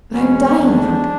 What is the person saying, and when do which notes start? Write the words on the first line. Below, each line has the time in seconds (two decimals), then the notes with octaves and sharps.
But I am dying of hunger.
0.11 E2 B2 G#3 B3 C#4
0.58 E2 D3 G#3 B3 D4